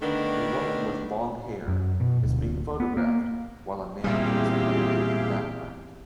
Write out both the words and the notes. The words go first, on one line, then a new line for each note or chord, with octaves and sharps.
A woman with long hair is being photographed while a man plays pool in the background.
D3 D#3 A3 B3 D4
F#2
B2
D1
B3
A#3
E2 A#2 G3 C4 G4 G#4 E5 F5